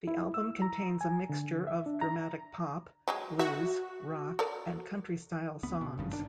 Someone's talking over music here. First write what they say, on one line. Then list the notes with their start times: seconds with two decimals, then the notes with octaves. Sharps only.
The album contains a mixture of dramatic pop, blues, rock, and country style songs.
0.08 E4
0.34 E6
0.62 A#5
1.01 G#5
1.29 D3
1.67 E5
1.86 D4
2.01 A#5
3.08 F#3 G#3 G#4
3.39 F#4 E5
4.39 A4 A#4 D5
5.63 D2 B3
5.81 B2
5.98 G#1 G2 C#3
6.13 G1 D#2 D#3 D4